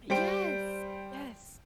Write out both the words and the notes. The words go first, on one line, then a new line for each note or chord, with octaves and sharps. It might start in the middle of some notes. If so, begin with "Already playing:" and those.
Yes. Yes.
G3 C5 G5 D7